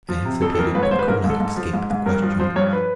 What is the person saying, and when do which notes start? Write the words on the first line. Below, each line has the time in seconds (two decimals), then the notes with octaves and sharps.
I hesitated but could not escape the question.
0.09 F3
0.25 C3
0.42 F2 A4
0.55 A4
0.58 F2 A#4
0.75 G#2 B4
0.83 C#5
0.91 G#2 C5
0.99 B4
1.08 G#2 A#4
1.24 G#2
1.30 A4
1.40 G#2
1.57 F3
1.73 G#2
1.90 G#2
2.06 G2 A#4
2.22 F3
2.40 F3 C5
2.56 G2 C#5
2.73 B4